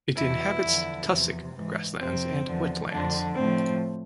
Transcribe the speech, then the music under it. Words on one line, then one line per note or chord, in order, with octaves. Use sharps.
It inhabits tussock grasslands and wetlands.
E2 B2 E4
E2 D3 F3
E2 C3 F3
G#2 E3
F2 C3 F3 C4
E2 D3 F3
F2 D3 F3 D4
A2 F3 C4